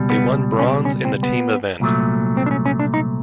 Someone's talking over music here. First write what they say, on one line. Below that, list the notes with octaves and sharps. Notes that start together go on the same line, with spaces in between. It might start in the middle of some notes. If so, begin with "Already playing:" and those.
They won bronze in the team event.
Already playing: C#2 B2 G3
B3
C#4
C4
C#4
C4
B3
C2 A#2 F#3 A3
C4
D4
C#4
C#4
D4
D#4